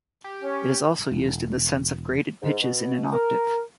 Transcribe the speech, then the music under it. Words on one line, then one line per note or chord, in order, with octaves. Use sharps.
It is also used in the sense of graded pitches in an octave.
G4
C#4
E1
G#2
B2
A#4